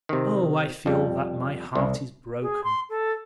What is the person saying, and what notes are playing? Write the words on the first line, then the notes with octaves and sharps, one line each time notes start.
Oh, I feel that my heart is broken.
C3 D#3
F2 G3
C2
G#4
C6
A4